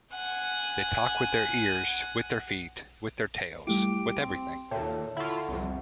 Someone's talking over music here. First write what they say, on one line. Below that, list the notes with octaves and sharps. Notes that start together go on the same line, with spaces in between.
They talk with their ears, with their feet, with their tails — with everything.
F#5 G#5
G3 A3 E4 G4 D7
C4
D#2 A#2 A4 C#5 E5 G5
D3 E4 F4 E5 F#5 B5 C#6
C2 F2